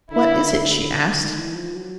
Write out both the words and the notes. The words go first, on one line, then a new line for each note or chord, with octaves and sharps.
"What is it?" she asked.
D3 E4
D#3
E3
F3
F#3